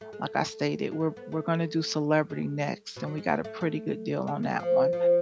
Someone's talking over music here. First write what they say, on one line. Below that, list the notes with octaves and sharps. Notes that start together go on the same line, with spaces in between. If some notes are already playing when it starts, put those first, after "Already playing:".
Like I stated, we're we're gonna do Celebrity next and we got a pretty good deal on that one.
A3
G#3
A3
A3
G#3
A3
B3
A3
G#3
B2
F#3
G#3
A3
A3
A3
G#3
A3
F3
F3